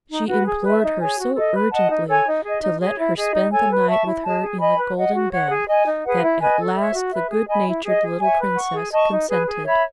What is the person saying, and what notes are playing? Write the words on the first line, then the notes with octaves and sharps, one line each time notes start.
She implored her so urgently to let her spend the night with her in the golden bed, that at last the good-natured little Princess consented.
D#4
F#4 B4
G#4
B4 E5
D#4
G#4 C#5 G#5
F#4
A4 D#5
B4
D#5 F#5 A5
D#4
A4 C#5 G#5
D#4
G#4 D#5
D#4
G#4 C#5
E4
G#4 D#5
D#4
A4 C#5 G#5
B4
E5 A5 C#6
E4
G#4 D#5 A5
G#4
D#5 G#5 B5
B4
D#5 F#5
F#4
C#5 F#5
G#4
D#5 G#5
D#4
G#4 B4 F#5
E4
B4 D#5 G#5
A4
C#5 E5
F#4
B4 E5
G#4
D#5 G#5 B5
E4
G#4 D#5
G#4
C#5 E5 G#5
B4
F#5 C#6
G#4
D#5 A5 C#6
D#4
G#4 B4
G#4
C#5 E5 B5